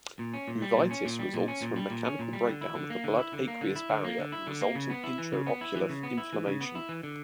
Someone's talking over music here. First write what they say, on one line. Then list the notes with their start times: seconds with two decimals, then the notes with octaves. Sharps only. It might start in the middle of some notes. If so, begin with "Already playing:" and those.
Uveitis results from mechanical breakdown of the blood–aqueous barrier and resultant intraocular inflammation.
0.19 A#2
0.34 C#4
0.48 A#2
0.62 G3
0.76 A#2
0.91 C#4
1.05 A#2
1.19 G3
1.34 A#2
1.48 C#4
1.62 A#2
1.76 G3
1.91 A#2
2.05 C#4
2.19 A#2
2.33 G3
2.48 D3
2.61 E4
2.75 D3
2.90 A#3
3.04 D3
3.19 E4
3.33 D3
3.48 A#3
3.61 D3
3.76 E4
3.89 D3
4.04 A#3
4.19 D3
4.32 E4
4.47 D3
4.61 A#3
4.75 C#3
4.90 B3
5.04 E4
5.18 E3
5.32 C#3
5.46 B3
5.61 E4
5.75 E3
5.89 C#3
6.03 B3
6.18 E4
6.33 E3
6.46 C#3
6.61 B3
6.75 E4
6.89 E3
7.03 D3